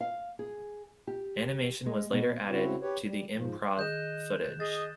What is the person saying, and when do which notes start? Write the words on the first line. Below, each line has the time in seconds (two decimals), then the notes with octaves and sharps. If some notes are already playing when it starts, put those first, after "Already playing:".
Animation was later added to the improv footage.
0.01 F5
0.39 G#4
1.07 G4
1.86 G#3
2.13 B2
2.49 C#3 C4 E4 F#4
2.82 G4 B4 C#5
3.04 G3
3.32 G#2 F3
3.77 D#3 G#4 D#5 D#6 F#6 G6 E7
4.60 G#4 D#5 A6